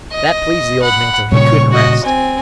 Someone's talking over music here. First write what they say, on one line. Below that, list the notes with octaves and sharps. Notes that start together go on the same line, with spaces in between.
That pleased the old man till he couldn't rest.
D#5
F#5 B5
A#2 C#3 G3 C#5 C#6
F#4 D#5
C4 G#5